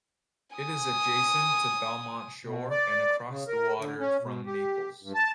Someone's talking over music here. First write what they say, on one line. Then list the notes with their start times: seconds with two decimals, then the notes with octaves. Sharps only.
It is adjacent to Belmont Shore and across the water from Naples.
0.57 G#5 D#6
2.44 B2
2.70 D5
3.29 C#3
3.48 A#4
3.79 D3
4.00 C#4
4.22 B2
4.46 G4
5.03 G2
5.14 A5